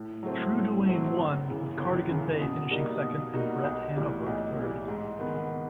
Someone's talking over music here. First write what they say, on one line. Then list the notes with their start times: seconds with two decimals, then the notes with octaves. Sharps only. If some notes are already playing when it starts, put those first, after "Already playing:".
True Duane won with Cardigan Bay finishing second and Bret Hanover third.
Already playing: A2
0.23 F#3 A3 C4
0.55 A2
0.86 F#3 A3 C4
1.17 G1
1.47 F#2 C#3 E3
1.78 G1
2.09 F#2 C#3 E3
2.40 B2
2.71 G3 A#3 D#4 F#4
3.03 B2
3.34 G3 A#3 D#4 F#4
3.64 B1
3.95 A2 E3 G3
4.26 B1
4.56 A2 E3 G3
4.88 G#2
5.19 D#3 G#3 B3